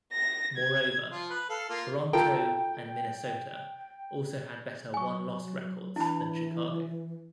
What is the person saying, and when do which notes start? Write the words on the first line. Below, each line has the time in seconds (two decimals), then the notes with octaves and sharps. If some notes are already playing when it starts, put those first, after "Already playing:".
Moreover, Toronto and Minnesota also had better won-loss records than Chicago.
0.13 A#6
0.57 G#6
1.11 F3 F4
1.30 B4
1.50 A4 F5
1.69 A#3 F4
2.13 F4 A4 A#4 G5
4.94 F#3 G#5 C#6
5.96 E3 D4 E4 A5 B5